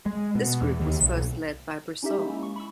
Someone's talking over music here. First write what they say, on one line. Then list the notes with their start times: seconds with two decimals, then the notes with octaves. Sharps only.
This group was first led by Brissot.
0.06 G#3
0.35 B2
0.62 E2
0.80 D#2
1.01 B1
2.03 C#4 D#4 G4 E5
2.19 G#3 A#3 C#4 E4
2.43 C#6
2.56 B5 C#6 E6